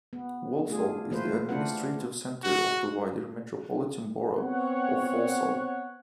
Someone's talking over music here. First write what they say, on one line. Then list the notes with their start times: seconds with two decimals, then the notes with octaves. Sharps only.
Walsall is the administrative centre of the wider Metropolitan Borough of Walsall.
0.13 B3
0.69 A3 D4 F4 G#4
1.11 E3 A3 A#3 F4 B4 C5
1.49 A3 D4 F4 B4 F#5
2.44 F#4
4.38 B3 C4 C#5 F#5